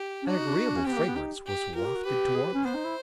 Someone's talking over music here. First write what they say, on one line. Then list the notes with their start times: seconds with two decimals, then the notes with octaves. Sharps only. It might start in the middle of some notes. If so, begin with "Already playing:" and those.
An agreeable fragrance was wafted toward them.
Already playing: G4
0.22 C#4
0.27 D4 F#4
0.36 D#4
0.46 D4
0.56 D#4
0.66 D4
0.76 C#4
0.86 C4 G4
0.92 B3
0.97 A#3
1.06 B3
1.16 D#4
1.46 G4
1.75 F4 A#4
1.85 G4
1.95 F#4
2.05 G4 B4
2.35 G#4
2.44 G4
2.54 C#4
2.64 B3 C5
2.74 D#4
2.84 E4